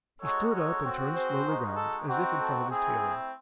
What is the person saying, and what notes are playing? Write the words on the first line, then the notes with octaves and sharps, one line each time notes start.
He stood up and turned slowly round, as if in front of his tailor.
G#3 D#4 F#4 A4 C#5
A4 C#5
C4 F#4
G#4 C5
G#3 D#4 F#4
A4
C4 D#4 F#4
A4
A3 C4 E4 G#4